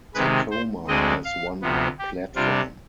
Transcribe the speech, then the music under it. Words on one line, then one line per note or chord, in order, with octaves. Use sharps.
Tecoma has one platform.
C3 D#3 G#3 B4
C5
D2 D3 G#3 C4 D#5
F5
D2 C3 F3 B3
G4
C3 G3 D4 F4